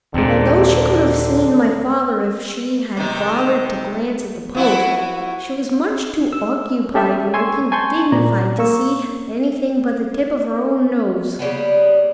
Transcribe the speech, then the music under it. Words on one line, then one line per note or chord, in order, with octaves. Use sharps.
Although she could have seen my father if she had bothered to glance at the post, she was much too occupied looking dignified to see anything but the tip of her own nose.
D#2 A#2 D3 G#3 C4
C3 D#3 D#4
F3 E4 F#4
E6
C#4 G4 A4 E5 G5
G#5 C6 C#6 E6 G#6
G#5 A5 C6 C#6 G6 G#6
A#2 D5 A#5
A#3 C#6 E6
C#3 G3 A#3 B3